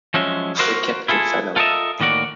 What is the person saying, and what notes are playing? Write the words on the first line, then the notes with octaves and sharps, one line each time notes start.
A capital fellow!
F3 F#3 G#3 C#4 E5
F#4 A#4 C5
E4 F4 G#4 A4
F4 A4 A#4 C5 D#5 E5
A2 D#3 A#3 F#4 D5